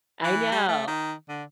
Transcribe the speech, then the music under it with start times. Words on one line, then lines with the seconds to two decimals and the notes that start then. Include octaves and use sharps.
I know
0.24 E3
0.52 G3
0.68 A3
0.87 D#3
1.29 D3